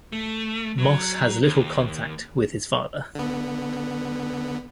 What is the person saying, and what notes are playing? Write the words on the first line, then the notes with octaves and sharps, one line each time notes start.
Moss has little contact with his father.
A3
F#3
D#2
D3 B3